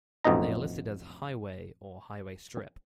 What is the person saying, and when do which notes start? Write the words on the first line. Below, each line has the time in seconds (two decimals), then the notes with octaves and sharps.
They are listed as "Highway" or "Highway Strip".
0.24 A1 F2 B2 D#4 A#5